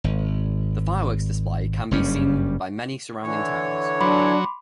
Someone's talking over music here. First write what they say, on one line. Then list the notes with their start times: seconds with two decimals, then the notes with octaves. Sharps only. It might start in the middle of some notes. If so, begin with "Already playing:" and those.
The fireworks display can be seen by many surrounding towns.
0.04 G#1
1.91 F#1 G2 G3 C#4
3.24 D3 E3 C#5
4.01 F#3 D4 B5 C6 D6